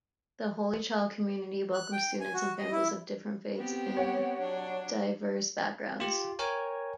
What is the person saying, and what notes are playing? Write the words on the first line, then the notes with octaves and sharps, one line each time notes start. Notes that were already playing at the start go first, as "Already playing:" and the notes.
The Holy Child community welcomes students and families of different faiths and diverse backgrounds.
F#6
G5
G#5
F#4
D#5
E4
B3 C4 G4
C#5 F#5
F#3 D4
F4 G4
A#4 C#5 G5 G#5